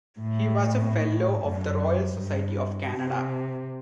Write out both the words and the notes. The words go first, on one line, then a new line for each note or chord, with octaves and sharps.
He was a Fellow of the Royal Society of Canada.
A2
F#2
G2
C3